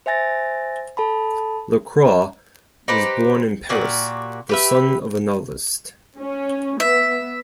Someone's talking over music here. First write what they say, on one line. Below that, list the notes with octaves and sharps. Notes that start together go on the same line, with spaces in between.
Lacroix was born in Paris, the son of a novelist.
C5 E5 G#5 A6 A#6
A4 A5 B5
D#4 G4 B4 C5
A#2 F#4 G4
G4 B4 E5
C#4
B3 E5